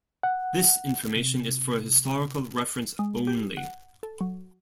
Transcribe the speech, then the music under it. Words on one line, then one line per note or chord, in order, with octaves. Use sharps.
"This information is for historical reference only".
F#5
C3
G#3
G4
F#5
A4
F#3